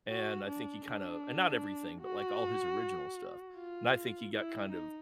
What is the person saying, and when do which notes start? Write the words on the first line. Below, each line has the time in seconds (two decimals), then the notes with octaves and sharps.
and I think he kinda and not everything, but, like, all his original stuff, and I think he got kind of
0.09 F#4
0.47 D4
0.86 D4
2.02 F#4
3.56 F4
4.33 E4
4.72 D#4